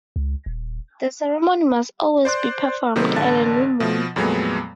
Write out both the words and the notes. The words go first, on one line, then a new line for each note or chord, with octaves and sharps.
The ceremony must always be performed at the new moon.
C#2
D#1
C5 D5 C6 F#6
C3 D#3 F#3 A3 B3 C4
A1 D3 A5 A6
B2 F3
F2 A#2 F#3 G#3 A3 B3